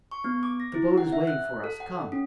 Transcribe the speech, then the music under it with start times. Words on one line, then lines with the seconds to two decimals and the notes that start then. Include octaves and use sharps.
"The boat is waiting for us; come."
0.11 C#6
0.24 B3
0.43 D6
0.60 A#6
0.74 E4
0.98 F#5
1.12 E5
1.27 F#6
1.64 A4
1.80 F#5
2.12 C#4